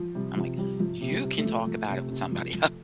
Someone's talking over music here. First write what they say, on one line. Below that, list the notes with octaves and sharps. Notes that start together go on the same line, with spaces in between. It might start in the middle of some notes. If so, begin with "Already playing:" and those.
I'm, like, "You can talk about it with somebody
Already playing: F3
C3 G3
C3 F3
F3 G3
F3
C3
G3
C3
A3
F3
F3
C3
C3
F3
F3